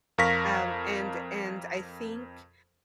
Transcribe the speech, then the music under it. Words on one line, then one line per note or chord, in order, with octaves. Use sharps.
Um, and and I think
F2 A#4 F5 C#6 A#6 B6